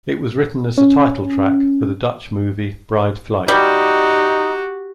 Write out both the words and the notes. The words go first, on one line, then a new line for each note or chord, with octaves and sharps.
It was written as the title track for the Dutch movie Bride Flight.
C#4
G3 D#4 F#4 G4